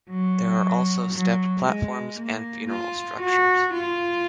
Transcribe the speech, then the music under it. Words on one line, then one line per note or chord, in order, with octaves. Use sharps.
There are also stepped platforms and funeral structures.
F#3
F#3
G#3
A#3
F4
F#4
F4